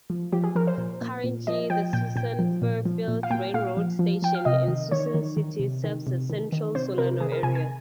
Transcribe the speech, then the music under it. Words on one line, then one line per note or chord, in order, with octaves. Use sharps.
Currently, the Suisun-Fairfield railroad station in Suisun City serves the central Solano area.
F3
F3 G4
G#4
F3 A#4
C5
A#2
A#2
A#2
F3 D#5
F3 G5
A#2 G5
A#2 G5
F3
A#2
F3
A#2
F5
A#2 G5
A#2 F5
F3
F3
F3 G5
F5
C3 D#5
D#3
D#3 C#5
D#3
D#3
C3
D#3
C3
D#3
D#3
C3 C5
C3 A#4
D#3 G#4
A#4
C3 G#5
G#5